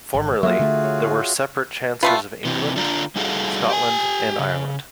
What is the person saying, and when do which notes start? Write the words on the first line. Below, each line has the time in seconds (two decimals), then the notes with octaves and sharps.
Formerly, there were separate Chancellors of England, Scotland and Ireland.
0.14 G#1
0.43 F#3 G#3 A#3 F4 F#4 G#4 E5
0.59 D3 A3
0.84 C#5
2.03 G3 A3 F4 B4
2.45 C3 E3
2.76 D3 D4 F4 A#5
3.16 G3 D#4 F#4 G#4 A4 F5
3.69 G4 G#5
4.39 C#3